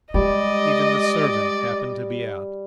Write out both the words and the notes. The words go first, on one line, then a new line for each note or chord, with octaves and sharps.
Even the servant happened to be out.
G3 G#3 D5 D#5